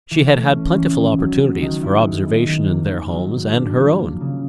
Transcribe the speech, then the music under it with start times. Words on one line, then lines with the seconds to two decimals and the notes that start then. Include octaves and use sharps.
She had had plentiful opportunities for observation in their homes and her own.
0.11 E3
0.32 A3
0.54 C#4
0.75 E3
0.96 D#3
1.18 F#3
1.40 B3
1.61 D#3
1.83 E4
2.04 G#3
2.26 B3
2.48 D#3
2.69 A#3
2.91 D#3
3.12 F#3
3.34 G#2
3.55 D4
3.77 F3
3.98 A#3
4.20 C#3